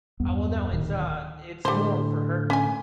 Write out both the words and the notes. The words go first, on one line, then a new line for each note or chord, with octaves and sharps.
Uh, well, no, it's, uh, it's more for her,
E2 G2 B3
D1 D2 A#2 D#3
A2 D3 G3 C5
C#4 G#5